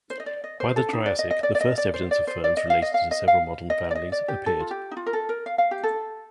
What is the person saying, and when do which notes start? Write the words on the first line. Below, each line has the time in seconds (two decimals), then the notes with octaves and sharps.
By the Triassic, the first evidence of ferns related to several modern families appeared.
0.10 C5
0.20 D#5
0.26 D5
0.44 D#5
0.60 C5
0.76 A4
0.89 D4
0.93 D#4
1.06 D5
1.19 D#5
1.31 D#5
1.43 D5
1.55 D5
1.61 D#5
1.78 D5
1.94 C5
2.11 D5
2.27 C5
2.44 D5
2.57 D#5
2.70 F5
2.82 D#5
2.94 F5
3.11 D#5
3.28 F5
3.70 D#5
3.91 D5
3.95 D#5
4.12 D5
4.28 G4
4.46 A4
4.60 F4
4.71 G4
4.91 D#4
4.97 F4
5.06 A#4
5.13 A4
5.29 A#4
5.46 F5
5.58 F5
5.71 G4
5.84 A4